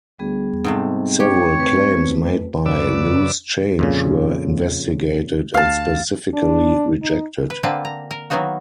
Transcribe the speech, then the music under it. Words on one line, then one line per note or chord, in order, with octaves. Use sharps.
Several claims made by "Loose Change" were investigated and specifically rejected.
D2 G3 B3 G#4
G#2 C3 A3 C4
G4 C#5
A3 C4 B4
F#2 C#3 B4 D5 D6 E6
F2 A#2 C#3
D2 F5 A5
D4
D#4
B4
D3 A#3 C4 B4 A5
A#5
A#4
D#3 F#3 A#3 B3 D#4 F#4